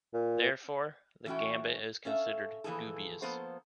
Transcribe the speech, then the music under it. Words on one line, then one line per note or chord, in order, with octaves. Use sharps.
Therefore, the gambit is considered dubious.
A#2
E3 A3 C#4 F#4 G5
C#4 A4 E5 F5
A#2 E3 F3 G#4 A4
F3 A#3 B3 A4 C5